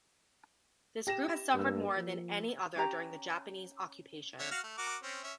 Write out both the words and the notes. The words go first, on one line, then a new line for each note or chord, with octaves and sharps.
This group has suffered more than any other during the Japanese occupation.
G4 A#6 E7
G2 A#3 E6
F3
C#4 G4 A#5
D3 C#5 E5
F#4 F5 F6
A3
F#4 A#4 D6
C4 C#4
C#4 E5